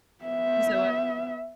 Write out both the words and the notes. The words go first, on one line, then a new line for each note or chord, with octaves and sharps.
You say what?
B3 E5